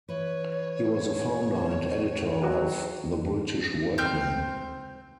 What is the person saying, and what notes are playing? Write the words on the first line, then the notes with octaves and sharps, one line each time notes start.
He was the founder and editor of "The British Workman".
E3 B4 C#5
D#3 F#3 F#4
C4 F6 G6